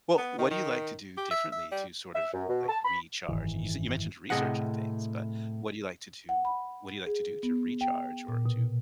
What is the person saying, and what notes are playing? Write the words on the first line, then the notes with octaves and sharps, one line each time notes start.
Well, what do you like to do differently to sort of, like, recharge? You you sai you mentioned researching things, but what do you like to do what do you like to do to recharge or to
B3
D#3
D#3
G4
E5
E5
G3
E5
F#2
B2
A5
B5
F#1 G#2 D#3 E3
A2 C3 F3 G#4 D#5 F#5
F#5
B5
G#4
B3
G5
A#2
B2